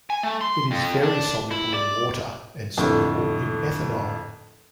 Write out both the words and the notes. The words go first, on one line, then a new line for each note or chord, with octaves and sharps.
It is very soluble in water and soluble in ethanol.
G#5
A3
C6
F2
D4
E4
D5
F2 A2 D3